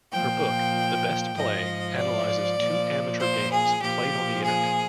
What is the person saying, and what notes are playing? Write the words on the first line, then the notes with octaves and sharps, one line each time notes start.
Her book, The Best Play, analyzes two amateur games played on the internet.
A#2 F3 G5
G#2 F3 D#5
D5
A#2 F3
C5
G#4
A#2 F3 G4
G#4